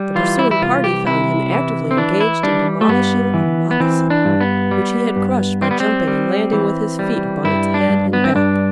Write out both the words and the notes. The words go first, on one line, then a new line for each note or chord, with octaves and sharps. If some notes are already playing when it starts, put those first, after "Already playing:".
The pursuing party found him actively engaged in demolishing a moccasin, which he had crushed by jumping and landing with his feet upon its head and back.
Already playing: G3
E3 F4
E4
E4
C2 F4
G4
C3 E4
E3
C4
E3 D4
E4
G3 D4
A3
G2 B3
E3
B3
E3 C4
D4
G2
B3
G3
G2
G3 C4
B3
C4
G3
E3
G3
G2 E4
D4
G2
B3
C4
G2 D4